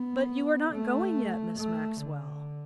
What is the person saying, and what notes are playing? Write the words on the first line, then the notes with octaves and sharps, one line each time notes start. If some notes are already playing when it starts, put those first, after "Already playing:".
But you are not going yet, Miss Maxwell?
Already playing: B3
A3
A3
D3